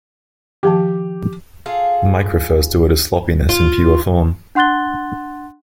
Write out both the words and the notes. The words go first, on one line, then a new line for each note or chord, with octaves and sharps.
Mike refers to it as sloppiness in pure form.
D#3 F3 G4 A5
F4 G#4 A4 F5
F4
D4 F#5 C6 F#6 A6 G7